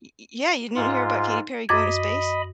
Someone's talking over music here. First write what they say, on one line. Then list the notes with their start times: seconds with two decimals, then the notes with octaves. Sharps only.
Y y yeah, you didn't hear about Katy Perry going to space?
0.76 G#2 F4
1.69 F#2 D#5 B5 D6 G#6